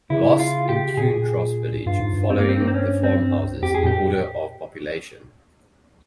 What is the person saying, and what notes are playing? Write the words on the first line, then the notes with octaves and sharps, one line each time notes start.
Los Encuentros Village following the farmhouses in order of population.
C#3 E4
F4
G4
A#2 G#4
G2 F4
G#2
G2
C4
A#3
C4
A#3
C4
C#4
C4
F2 G4
G#4
A#2 G4